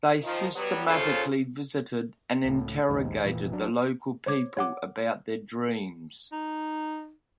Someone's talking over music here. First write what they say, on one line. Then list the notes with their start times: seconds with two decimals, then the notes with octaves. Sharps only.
They systematically visited and interrogated the local people about their dreams.
0.24 D#3 F3
0.55 F#3 G3 B3
0.88 D#2 C#3 C#4 F4 A4 C5
2.45 C#2 A2
2.89 A#1 D#2 G#2
3.24 F1 A#2 E3
3.52 A1 F#3 D4
4.26 C5 C#5 D6 G#6
4.57 C#5 F#5 D6
6.32 D#4